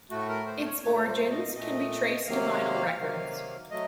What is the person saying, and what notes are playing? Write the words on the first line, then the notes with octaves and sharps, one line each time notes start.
Its origins can be traced to vinyl records.
A2 A3 F#4
A#4
C5
C#5
A#2 A3 C#5
C#5
C5
D#5
A#2 A3 D#5
C3 D#3 F#3 A#3 F5
C3 D#3 F#3 A#3
F#3 A3 D#5